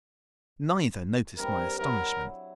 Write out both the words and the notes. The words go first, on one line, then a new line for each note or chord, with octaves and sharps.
Neither noticed my astonishment.
G2 C3 G3 A#4
F#3 E4 A#4